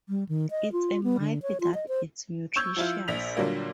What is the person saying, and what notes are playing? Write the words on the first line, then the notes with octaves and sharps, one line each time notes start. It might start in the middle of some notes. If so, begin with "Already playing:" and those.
It's a myth that it's nutritious.
G3
D#3
D#5
F4
B3
D3
C#5
F4
D#5
C5
C#6 E6 G6 G#6
F3 E4 F4
A#1 B6 F7
A#2 D3 F#3 G3 A#3